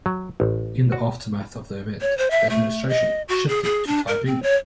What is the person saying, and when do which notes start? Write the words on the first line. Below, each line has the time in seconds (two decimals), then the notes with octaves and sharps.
In the aftermath of the event, the administration shifted to Taiping.
0.06 F#3
0.40 A1
0.92 F#4
2.01 C#5
2.18 C5
2.31 E5
2.50 A3
2.89 D#5
3.28 F#4
3.48 G#4
3.64 G#4
3.87 D4
4.08 A#4
4.26 C4
4.43 C#5